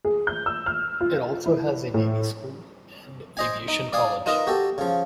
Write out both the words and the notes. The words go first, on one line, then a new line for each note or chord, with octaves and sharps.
It also has a navy school and aviation college.
G#4
G6
E6
F6
F4
E4
A2
C5 D#5 G#5
D#4
D5 F5 G#5 D#6
D#4 F4 A#4 B4 D#5 A#5
F#4 G4 A4
C#3 F3